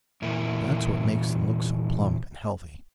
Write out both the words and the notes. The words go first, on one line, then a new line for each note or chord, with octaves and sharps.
That's what makes them look so plump and healthy.
E2 A#2 E4 A#4